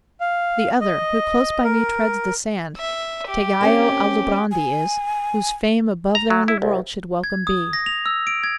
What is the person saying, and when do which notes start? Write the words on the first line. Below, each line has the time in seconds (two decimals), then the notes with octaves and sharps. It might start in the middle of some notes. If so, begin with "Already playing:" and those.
The other, who close by me treads the sand, Tegghiaio Aldobrandi is, whose fame Above there in the world should welcome be.
0.20 F5
0.81 D#5
1.64 A#4
2.77 E5
3.28 G4
3.61 A#3 C4 C#4
4.52 G#5
6.15 A#5
6.30 F#3
6.48 E4
6.62 C2
7.24 G#6
7.47 D#6
7.73 A#6
7.86 F7
8.06 E6
8.27 D7
8.44 G#6